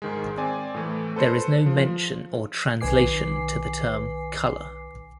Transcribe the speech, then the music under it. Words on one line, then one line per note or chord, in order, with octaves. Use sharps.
There is no mention or translation to the term "color".
G#2 D#3 G#3
C4 D5 G#5
A2 E3 A3
A4 B4 C5 C#7
F3
B1 D#3 B4 G#5 D6 C7